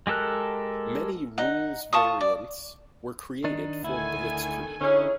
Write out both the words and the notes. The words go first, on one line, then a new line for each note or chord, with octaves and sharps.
Many rules variants were created for "Blitzkrieg".
G#3 G4 A4 A#4 F#6
D#4 F#5
F4 A5 C#6 D#6
D5
D#3 D4 D#4
D2 D#3 E4 A4 G#5
D3 C#4 D#4 E4 G#4 C#5